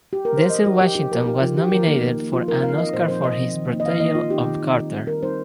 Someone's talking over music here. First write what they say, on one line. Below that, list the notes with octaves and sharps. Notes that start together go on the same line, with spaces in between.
Denzel Washington was nominated for an Oscar for his portrayal of Carter.
G4
A#4
C5
F3 D#5
D#4 G4
F3 G4
D#4 G4
F3 A#4
D#4 G4
F3 F4
D#4 G4
D#3 A#4
A#3 D#4
D#3
A#3 D#4
F3 F4
C4 D#4 A#4
F3 F5
C4 D#4 D#5
A#2 C5
F3 C4 D#4 C5
A#2 D#5
F3 C4 D#4
D#3
A#3 D#4
D#5
D#3 F5
A#3 D#4 D#5
D#3 F4
C4 D#4 G4
D#3
C4 D#4
D#3
G3 C4 D#4
D#3 A#4
G3 C4 D#4 C5